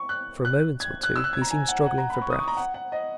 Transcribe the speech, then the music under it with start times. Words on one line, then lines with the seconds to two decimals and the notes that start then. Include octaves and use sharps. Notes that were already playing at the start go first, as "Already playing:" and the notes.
For a moment or two he seemed struggling for breath.
Already playing: C#6
0.09 F#6
0.45 F#6
0.80 G#6
1.03 F#6
1.16 E6
1.24 F#6
1.33 G#6
1.42 A#5
1.51 G#5
1.68 F#5
1.86 F#5
1.98 A#5
2.10 B5
2.22 C#6
2.30 D#6
2.39 C#6
2.48 A#5
2.57 F#5
2.74 F#5
2.92 D#5